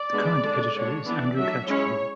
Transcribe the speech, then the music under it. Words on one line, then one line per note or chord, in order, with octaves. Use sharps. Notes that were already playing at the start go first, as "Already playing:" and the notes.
The current editor is Andrew Catchpole.
Already playing: D5
G#3 B3 D4
D3 G#3 D4
D3 G#3 D4 C#5
E3 B3 D4 D5
F#3 A3 D4 E5
G#3 C#4 E4 C#5